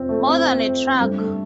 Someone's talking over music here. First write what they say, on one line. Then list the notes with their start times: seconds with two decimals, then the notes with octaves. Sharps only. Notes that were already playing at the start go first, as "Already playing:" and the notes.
More Than A Truck!
Already playing: F2 C3 C4 F4
0.09 A3
0.28 C4
0.46 C4
0.93 C4
1.00 G2 G3 A3
1.18 A3